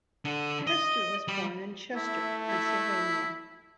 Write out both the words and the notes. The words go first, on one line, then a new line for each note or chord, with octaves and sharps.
Hester was born in Chester, Pennsylvania.
D3
D#5
G3
A3 E4
E4